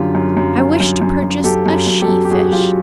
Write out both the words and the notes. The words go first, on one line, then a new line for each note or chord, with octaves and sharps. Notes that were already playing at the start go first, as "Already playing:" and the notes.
"I wish to purchase a she-fish."
Already playing: F#2 D3 F4 G4
F#2
F#2
F#2
F#2
F#2
F#2
F#2 G4 A4
F#2
F#2
G4 A4
F#2
G4
F#2 F#4 G#4
G#4
F#2 F4 G4